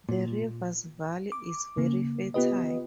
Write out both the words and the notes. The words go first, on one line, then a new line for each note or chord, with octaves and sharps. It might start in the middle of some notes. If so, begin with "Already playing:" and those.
The river's valley is very fertile.
A#2
D6
C#3 A#3
B3 F4 G4 B4 D#5